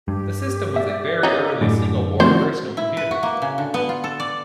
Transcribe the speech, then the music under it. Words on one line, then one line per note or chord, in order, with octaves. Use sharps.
The system was a very early single-board personal computer.
G2 G4
D5 E5
C#4 D#4 F4
F#2 A2 D3 D4
D#3 F3 A3 C4 C#4 E4 F#4 C5
E4
B4
F#4
A#3
C#3
D3
B3
F4
A4
D5